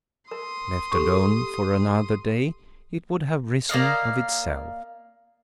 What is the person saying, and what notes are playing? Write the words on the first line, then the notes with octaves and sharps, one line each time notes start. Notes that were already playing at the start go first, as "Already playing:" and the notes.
Left alone for another day it would have risen of itself.
A#4 C6 D#6
G4 A4 C#6
A#3 D5 D#5 F5